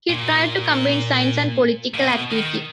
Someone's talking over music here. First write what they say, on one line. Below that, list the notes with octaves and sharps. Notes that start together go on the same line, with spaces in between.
He tried to combine science and political activity.
A#2
A#2
B2
D#3